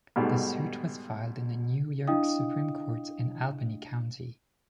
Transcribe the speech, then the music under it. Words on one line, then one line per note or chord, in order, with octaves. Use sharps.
The suit was filed in the New York Supreme Court in Albany County.
G#2 B2 G3 A3
D4 E4 D#5 F5 G5 D#6